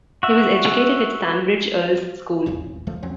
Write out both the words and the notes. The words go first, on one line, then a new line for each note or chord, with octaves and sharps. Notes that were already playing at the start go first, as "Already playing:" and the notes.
He was educated at Stanbridge Earls School.
F#4 E5
D#1 G#1 E2 C#3
D1 C#2 F3 A3
E2 F#3 C4 C#4